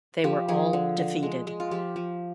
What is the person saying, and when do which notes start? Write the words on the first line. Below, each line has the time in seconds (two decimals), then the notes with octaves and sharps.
They were all defeated.
0.24 F3 G4
0.48 F3 G#4
0.73 D3
0.98 D3
1.23 G#3
1.47 G#3
1.60 F4
1.71 F3 G4
1.96 F3